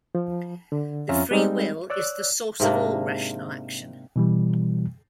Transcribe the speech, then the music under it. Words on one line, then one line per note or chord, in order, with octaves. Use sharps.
The free will is the source of all rational action.
F3
D3
F2 C#4 F4 E5 A#5
G3 G#3 C4 D#4
C#5 D5 E6 F#6
G#2 C3 A#3 D4
B2 E3 G3